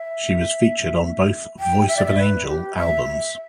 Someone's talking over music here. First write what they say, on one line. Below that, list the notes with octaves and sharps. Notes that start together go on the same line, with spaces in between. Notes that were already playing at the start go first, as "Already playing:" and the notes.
She was featured on both "Voice of an Angel" albums.
Already playing: E5
G5
E5
D5
E5
B4
G4
E5
E5